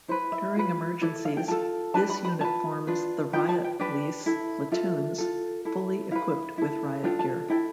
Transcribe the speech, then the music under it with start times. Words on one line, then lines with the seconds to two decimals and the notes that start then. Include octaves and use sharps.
During emergencies, this unit forms the riot police platoons fully equipped with riot gear.
0.08 E4 B4 C5
0.32 E5
0.56 F4 B4
1.01 E4 A4 D5
1.25 F5
1.37 G5
1.48 F4 A4 A5
1.94 D4 G4 B4 A5
2.10 B5
2.25 B5
2.41 F4 B4 A5
2.87 D4 F4 B4
3.33 F4 B4 G5
3.49 A5
3.64 G5
3.79 D4 G4 B4 D5
4.26 E4 A4
4.72 F4 A4 E5
5.18 F4 A4
5.65 E4 A4
6.11 E4 B4 F5
6.58 E4 A4
7.04 D4 F4 A4 G5
7.19 A5
7.50 E4 A4 G5